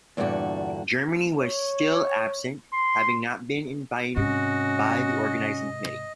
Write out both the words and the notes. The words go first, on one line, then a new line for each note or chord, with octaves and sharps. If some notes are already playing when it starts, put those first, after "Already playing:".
Germany was still absent, having not been invited by the Organizing Committee.
E2 G2 A#2 D3 F#4
C#5
C6
G#2 C3 C#4 F#4 D#5